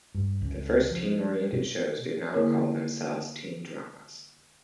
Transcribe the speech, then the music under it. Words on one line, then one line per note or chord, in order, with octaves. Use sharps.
The first teen-oriented shows did not call themselves teen dramas.
G2
C#2
F3
B2
D3 A#3 E4 G#4 A#4 C#5